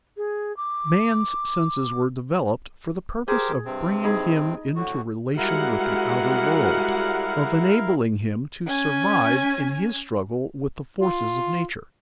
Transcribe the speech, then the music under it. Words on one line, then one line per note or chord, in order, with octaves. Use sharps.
Man's senses were developed for the purpose of bringing him into relation with the outer world, of enabling him to survive in his struggle with the forces of nature.
G#4
D6
G4 G#4 A#4 C5
G2 C3 C4
D#4 G#4 B5
A2 D3 F#4
G3 G#3 E4 F#4 A#4 F5 F#5
C#4 G#5
F4